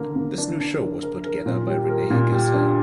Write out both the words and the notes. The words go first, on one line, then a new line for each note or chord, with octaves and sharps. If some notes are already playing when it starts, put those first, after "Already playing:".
This new show was put together by Rene Gasser.
Already playing: D3 A#3
A#3
D4
D4
A#4
A#4
A#4
A#2
G3
A#4
A#2
G3
D4